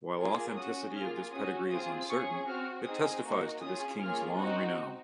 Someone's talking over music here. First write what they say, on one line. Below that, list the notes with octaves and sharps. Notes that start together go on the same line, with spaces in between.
While authenticity of this pedigree is uncertain, it testifies to this king's long renown.
A#3 F4 G#4
C#4 F#4 D#6
A#3 F4 G#4 F6
C#4 F#4 D#6
C4 F4 G#4 D#6
C#4 G#4 C#6
C4 F#4 F6
C4 D#4 G#4 D#6
A#3 D#4 F#4
C#4 F4 G#4 D#6
A#3 C#4 F4 G#4 F6
C4 D#4 F#4 F#5